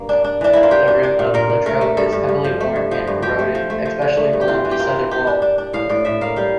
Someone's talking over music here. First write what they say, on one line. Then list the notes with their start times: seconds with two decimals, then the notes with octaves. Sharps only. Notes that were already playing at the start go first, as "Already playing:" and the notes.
The rim of Littrow is heavily worn and eroded, especially along the southern wall.
Already playing: G2 A#3
0.09 D4
0.24 D4
0.41 E3 D4
0.53 A#3 E4
0.63 F4
0.71 D4 G4
0.88 D4
1.03 D4
1.19 A#2
1.34 A#2 A#4
1.50 A#2
1.66 A3 A#4
1.81 A3
1.97 G2 A4
2.12 G2
2.29 G2
2.44 F3
2.60 A3
2.76 G2
2.91 F3
3.07 G2
3.22 F3 G4
3.39 A3
3.55 F3
3.70 A3
3.86 F3
4.02 D3
4.17 A3
4.33 G2
4.41 G4
4.48 E3 F4
4.65 E3
4.71 G4
4.80 A#3 F4
4.96 E3
5.11 E3 G4
5.27 D4
5.42 D4
5.58 D4
5.73 A2 F5
5.89 A2 D5
6.05 A2 E5
6.21 A#3 F5
6.36 G3 F5